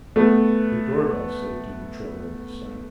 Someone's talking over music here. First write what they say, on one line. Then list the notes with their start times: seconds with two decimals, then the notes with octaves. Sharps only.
The door-bell saved him the trouble of deciding.
0.16 A3 B3